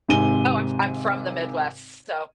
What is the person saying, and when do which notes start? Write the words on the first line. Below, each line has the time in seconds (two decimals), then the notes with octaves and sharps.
Oh, I'm I'm from the Midwest, so
0.08 G#1 G#2 C3 G#5 D#7 G7